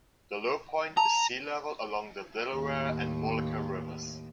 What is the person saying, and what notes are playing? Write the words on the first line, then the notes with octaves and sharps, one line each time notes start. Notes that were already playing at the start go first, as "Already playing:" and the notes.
The low point is sea level along the Delaware and Mullica rivers.
A5 A#5
D#2 A2